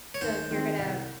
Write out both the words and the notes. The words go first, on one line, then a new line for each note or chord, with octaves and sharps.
so you're gonna
C#5
D#2 C5
D#3 G#3 C4
C2